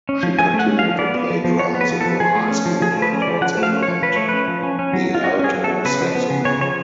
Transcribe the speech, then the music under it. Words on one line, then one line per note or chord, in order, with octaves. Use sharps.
She continued to play drums into high school and also learned the alto saxophone.
C#4
F3
F3 G#5
A3
F#5
C#4
F5
F3
B3 D5
B3
F3
F3
B3 C#5
B3
B4
F3
A4
F3
F3 G#4
A3
C#4
F3
F3 G#4
A3
B4
C#4
D5
F3
F3 F#5
A3
F5
C#4
C#5
F3
F3 B4
A3 C#5
C#4 B4
F3
C#4
C#4
F#3
F#3
F4
C#4 F#4
C#4 G#4
F#3
A4
F#3
C#3 B4
F3
B3
C#3
C#3 C#5
F3 C#5